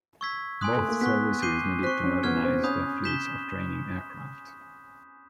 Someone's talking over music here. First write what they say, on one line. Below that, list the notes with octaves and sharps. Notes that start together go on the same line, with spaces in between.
Both services needed to modernize their fleets of training aircraft.
C#6 E6 G#6 B6
G#5 C6 D#6 F#6
A3
A#3
B3 C#6 F#6 B6
D6 G6 C7 D#7 G7
C4 C#6 F#6 B6
C#4
B3 C#6 F6 G#6
C4
C#4 B5 D#6 G6
G6 B6 E7 G7